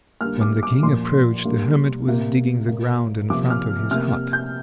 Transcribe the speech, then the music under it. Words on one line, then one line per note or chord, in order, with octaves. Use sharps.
When the King approached, the hermit was digging the ground in front of his hut.
D3 G3 A#3 F6
D6
D6
A#2 F3 A#3 C6
D3 G3 A#3
C3 A#3
A#2 A#3
C3 F3 A#3 D6
F6
C3 A#3 F6
G6